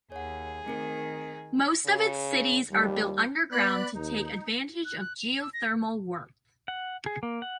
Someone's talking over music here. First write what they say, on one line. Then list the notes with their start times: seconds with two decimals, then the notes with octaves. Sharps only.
Most of its cities are built underground to take advantage of geothermal warmth.
0.12 D#2 G#4 C#5 F#5
0.66 D#3 A3 C4 A#4
1.86 C#3
2.70 D#2 G3
3.52 B3 D5 B5 F#6
3.94 D#2 D#4
4.85 F#6
4.99 F#6
5.20 F7
5.41 E6
5.54 A#6
6.68 F#5
7.06 G#4
7.23 A#3
7.42 F#5